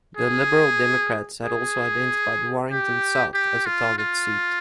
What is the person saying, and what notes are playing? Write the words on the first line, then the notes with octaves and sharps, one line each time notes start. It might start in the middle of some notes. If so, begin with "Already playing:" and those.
The Liberal Democrats had also identified Warrington South as a target seat.
G#4
G#4
G4
G4
F4
F4